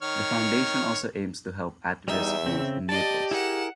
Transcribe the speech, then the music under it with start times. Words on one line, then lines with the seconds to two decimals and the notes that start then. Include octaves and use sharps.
The foundation also aims to help at risk youth in Naples.
0.02 D#3 C#5 F6
2.08 E2 G3 D#4 E5
2.46 C#3 C4
2.89 G4 D5 D#5 A5
3.31 E4 G#4 A#4 F#5 E7